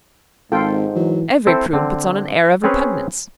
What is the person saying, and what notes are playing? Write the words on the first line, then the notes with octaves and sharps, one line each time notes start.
Every prude puts on an air of repugnance.
G#1 G#2 F4 A4 G5
E3 F#3
C4 E4 A4 C5
D3 C4
C4 C#4 G#4 B4 C#5